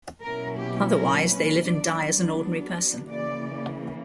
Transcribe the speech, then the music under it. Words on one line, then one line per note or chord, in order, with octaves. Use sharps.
Otherwise, they live and die as an ordinary person.
B2 F#3 A#3 C#4 E4 A#4
G4
A#4
B4
F#3 B3 D4 D5
C#3 E3 A#3 D5